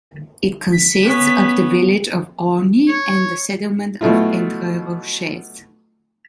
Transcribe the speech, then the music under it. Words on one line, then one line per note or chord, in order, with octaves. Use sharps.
It consists of the village of Orny and the settlement of Entreroches.
B6
B3 C#4
C#5
B2 F#3 A3 E4 F4